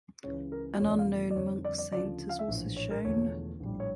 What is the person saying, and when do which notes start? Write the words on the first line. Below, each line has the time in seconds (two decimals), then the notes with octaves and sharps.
An unknown monk saint is also shown.
0.24 C#2 C#3 E3 C#5
0.52 A#4
0.80 E1 E2 C#3 F3 A3 C#5
0.89 D5
0.99 F5
1.30 D5
1.36 F2 D3 G3 C#5
1.64 D5
1.78 D5
1.92 D2 C#3 F3 D5
2.29 F5
2.39 E5
2.48 A#1 A2 E3
2.76 C#5
2.91 A#4
3.05 E1 E2 D3 F3 A3 C#5
3.60 A#1 A2 G3
3.80 C#5